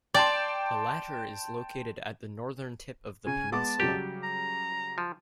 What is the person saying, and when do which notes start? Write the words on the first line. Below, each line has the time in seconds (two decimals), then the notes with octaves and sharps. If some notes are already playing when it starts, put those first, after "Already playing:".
The latter is located at the northern tip of the peninsula.
0.14 D5 G5 A5 C6
3.27 C#3 G#5
3.52 G#3 B3 A5 D6
3.80 C#3 F#3 G3 G4
4.23 A#5
4.98 F3